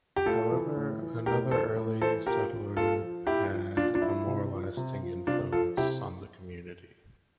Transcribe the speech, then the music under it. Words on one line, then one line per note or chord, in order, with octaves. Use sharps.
However, another early settler had a more lasting influence on the community.
G4
A2 F4 A4
E3
A2
E3
A2 G4 A#4
E3 A4 C5
A2
E3 A4 C5
A#2 G4 A#4
F3
A#2 F4 A4
F3
A#2 E4 G4
F3
A#2 D4 F4
D4
F3 E4
C3
F3
C3
F3
C3 D4 F4
F3 F4 A4
C3 E4 G4